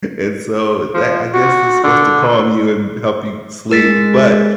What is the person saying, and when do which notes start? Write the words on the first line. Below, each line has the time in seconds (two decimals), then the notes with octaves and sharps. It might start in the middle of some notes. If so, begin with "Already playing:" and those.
and so that, I guess, is supposed to calm you and help you sleep, but,
0.94 F3
1.34 F#4
1.84 D3
3.71 G#3 A#4 A6 B6